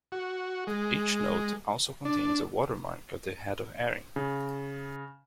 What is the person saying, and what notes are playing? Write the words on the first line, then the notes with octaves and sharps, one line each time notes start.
Each note also contains a watermark of the Head of Erin.
F#4
G#3
D4
C#3